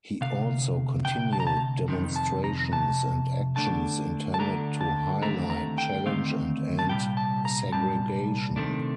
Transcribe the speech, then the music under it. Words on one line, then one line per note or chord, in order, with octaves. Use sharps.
He also continued demonstrations and actions intended to highlight, challenge and end segregation.
D2 C3 F5
D2 C3 G5
A5
A#5
A5
F2 C3 D#3
A5
A#5
F2 C3 A5
D2 D3 A3 D4 A5
A5
D2 D3 A3 D4 A#5
A5
D#2 D3 A3 C4 A#5
A#5
G5
D#2 D3 A3 C4 F5
A5
C2 A#2 G3 G5
A5
A#5
C2 A#2 G3 A5
C3 D#3 A3 D4